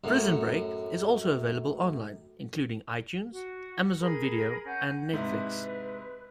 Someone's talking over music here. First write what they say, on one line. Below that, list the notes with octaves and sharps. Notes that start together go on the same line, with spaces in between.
"Prison Break" is also available online, including iTunes, Amazon Video, and Netflix.
F#2 A2
F#4
G#4 A#4 B5
C#4 F#5 G#5 G6
G#2 C3 E4 B4